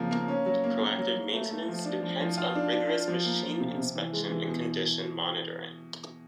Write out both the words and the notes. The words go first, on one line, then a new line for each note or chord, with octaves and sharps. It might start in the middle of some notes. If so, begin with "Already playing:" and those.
Proactive maintenance depends on rigorous machine inspection and condition monitoring.
Already playing: C#3 F3 A#3 C4
A#3
C#4
F#3
A#3
A#3
F#3
F#3
A3
A3
F3
D4
F3
F3
F4
D4
D4
F4
F3
A#3
F3
C3
C3
E3
G#3
E3
B2